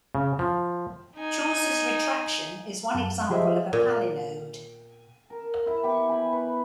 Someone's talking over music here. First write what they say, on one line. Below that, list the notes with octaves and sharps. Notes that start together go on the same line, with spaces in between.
Chaucer's Retraction is one example of a palinode.
C#3
F3
D#4 G#5
F#2 A5
F3 G4 G#4 C5 D#5 E5
A#2
A#4
E4
B3 G4
G#5 B5
B4 C#6